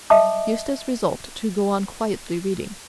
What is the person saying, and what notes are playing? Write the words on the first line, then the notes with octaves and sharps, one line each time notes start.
Eustace resolved to go on quietly reading.
D#5 E5 A5 D6 D#6